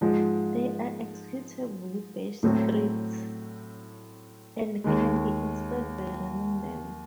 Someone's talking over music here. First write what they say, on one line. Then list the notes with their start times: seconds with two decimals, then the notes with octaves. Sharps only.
They are executable bash scripts, and can be installed by running them.
0.01 G#2 F3 G#3
2.43 A2 F#3 A3 C4
4.84 D#2 D#3 G#3